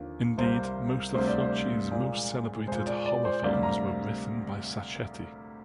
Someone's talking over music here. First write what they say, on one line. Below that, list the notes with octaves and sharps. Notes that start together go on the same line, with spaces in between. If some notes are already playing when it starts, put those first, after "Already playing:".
Indeed, most of Fulci's most celebrated horror films were written by Sacchetti.
Already playing: D#2 D3 F3 A#3
C2 C3 G3 A#3 C5
D2 C3 G3 A#3 C5
D5
C5
A#2 F3 G#3 D5
A#2 G#3 C5
D5
D5
C5
D2 C3 G3 A#3 D5
A#5